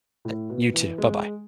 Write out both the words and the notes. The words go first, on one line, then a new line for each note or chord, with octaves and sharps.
Eh you too, bye-bye.
A2
B2
E3
G#3